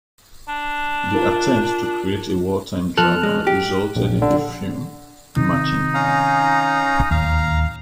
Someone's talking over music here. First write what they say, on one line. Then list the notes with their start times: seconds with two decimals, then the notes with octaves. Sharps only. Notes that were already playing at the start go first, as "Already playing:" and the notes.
The attempt to create a wartime drama resulted in the film "Marching On!".
0.48 D4
1.15 F4 A#4
2.98 F3 A4 F6 F#6
3.23 G#3
3.47 G4
3.96 A#1
4.22 D3
5.37 C3 D#3 D#4
5.94 C#4 F5 A#5
7.11 D1 D#2 F5 A#5